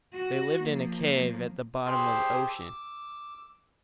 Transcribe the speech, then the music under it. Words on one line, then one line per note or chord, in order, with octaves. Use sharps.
They lived in a cave at the bottom of the ocean.
F#4
F3 A#3
G4 G#4 C5 A5 C6 E6
D6 E6